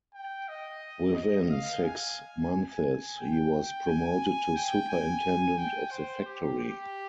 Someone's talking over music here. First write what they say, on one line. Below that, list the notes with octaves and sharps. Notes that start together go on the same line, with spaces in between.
Within six months, he was promoted to superintendent of the factory.
G5
D#5
D#5
F5
G#5
G#5
G#5
G5
G#5
G5
G#5
G5
C5
G4
G4